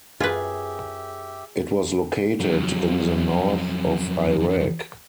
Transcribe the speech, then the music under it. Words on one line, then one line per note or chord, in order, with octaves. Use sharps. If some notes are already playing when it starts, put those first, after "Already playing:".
It was located in the north of Iraq.
F#2 F4 G4 G#4 B4 E5
F2 F#3